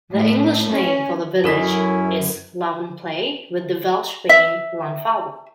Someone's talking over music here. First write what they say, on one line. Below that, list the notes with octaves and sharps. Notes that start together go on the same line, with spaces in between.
The English name for the village is Llanvapley with the Welsh being Llanfable.
A2
C#4
F#2 C#4 E4 A4 A#4 B6
E5